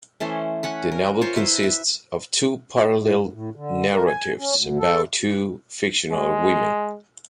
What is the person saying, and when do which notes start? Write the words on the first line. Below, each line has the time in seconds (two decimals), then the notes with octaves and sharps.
The novel consists of two parallel narratives about two fictional women.
0.20 E3 A3 C#4 C5
0.63 C#4 F#5 B5
0.92 A#4
1.21 F4 A#4 C5 C#5
1.36 E4 B4 C5
1.63 E5
2.94 A2
3.19 F#2
3.33 A2
3.55 D3
3.94 A#4
4.06 G#5
4.38 C#4
4.56 D2
4.79 A4
6.11 G#3